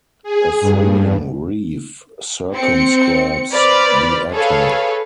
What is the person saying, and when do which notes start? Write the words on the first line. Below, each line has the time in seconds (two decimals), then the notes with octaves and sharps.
A fringing reef circumscribes the atoll.
0.23 G#4
0.61 G2
2.53 C4 C#7
3.52 B4 C5 D5 B5 F6
4.32 G#4 A4 B4 C#5 F5